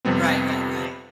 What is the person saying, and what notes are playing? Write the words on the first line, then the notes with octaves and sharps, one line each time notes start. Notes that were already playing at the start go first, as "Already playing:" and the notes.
Right, right, right.
F2 C3 G3 B3 C4